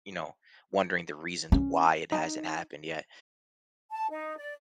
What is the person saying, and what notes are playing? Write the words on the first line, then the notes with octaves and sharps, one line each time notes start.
you know, wondering the reasons why it hasn't happened yet.
C#4
D#4
A5
D#4
D5